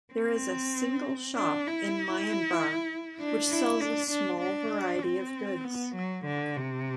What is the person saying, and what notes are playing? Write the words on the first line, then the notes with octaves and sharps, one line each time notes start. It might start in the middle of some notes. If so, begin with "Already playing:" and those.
There is a single shop in Maianbar which sells a small variety of goods.
C4
D4
E4
D4
E4
D4
D4
D4
C4
B3
F#3
D3
C3